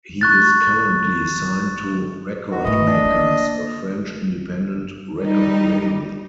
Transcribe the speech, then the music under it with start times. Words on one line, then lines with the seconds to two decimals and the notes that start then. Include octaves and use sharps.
He is currently signed to Record Makers, a French independent record label.
0.21 C#6 F#6 A6
2.51 D#3 F#4
2.64 G#2 E3 A3 D#5
2.87 F3 D4
3.05 A#3
5.19 G3 D#4